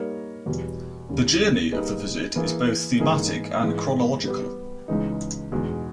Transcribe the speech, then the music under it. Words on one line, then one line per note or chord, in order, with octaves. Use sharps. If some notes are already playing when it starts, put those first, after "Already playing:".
The journey of the visit is both thematic and chronological.
Already playing: G3 A#3 D#4 A#4 C#5
E2 B2 G3
D#2 C#3 G3
G3 A#3 D#4 G#4 B4
E3 A#3 E4 G#4 B4
G#2 E3 A#3 D#4 G#4
G#2 E3 G#3
G3 B3 G4
C#2 C#3 E3 G#3 D#4
E2 B2 G#3 D#4